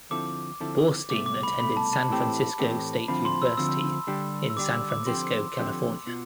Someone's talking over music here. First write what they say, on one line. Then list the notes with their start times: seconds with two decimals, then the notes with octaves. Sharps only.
Borstein attended San Francisco State University in San Francisco, California.
0.11 D3 F3 C4 E4 A4 D6
0.60 D3 F3 C4 E4 A4
1.10 C2 B2 A3 D6
1.26 D6
1.43 B5
1.59 C2 B2 A3 B5
1.77 A5
1.93 A5
2.09 A2 E3 A3 C4 G4
2.59 A2 E3 A3 C4 G4
3.08 D2 D3 F3 C4 B5
3.25 C6
3.42 E6
3.57 D2 D3 F3 C4 E6
4.07 D3 G3 D4 G4
4.50 E6
4.57 D3 G3 D4 G4 D6
4.74 E6
4.90 D6
5.07 D3 F3 C4 G4 C5 C6
5.57 D3 F3 C4 G4 C5
6.07 B2 B3 F4